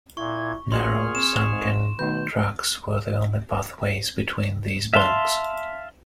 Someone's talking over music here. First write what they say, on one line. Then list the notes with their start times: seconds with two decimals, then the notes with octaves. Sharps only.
Narrow sunken tracks were the only pathways between these banks.
0.17 A#2 E4 C#6 G#6
0.72 A#2 F#4 G#4 C6 C#6 F6
1.15 C4 E7
1.50 G#2
1.99 B2 D#3 A3 D#4 G6
4.94 E5 F5 A5 C6